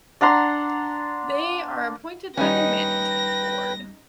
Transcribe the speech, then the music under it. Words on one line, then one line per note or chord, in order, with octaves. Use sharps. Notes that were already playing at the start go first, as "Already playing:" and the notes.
They are appointed by the Management Board.
D4 F#5 A#5 C6
D#2 G3 C#4 D#4 B4 G5 A#6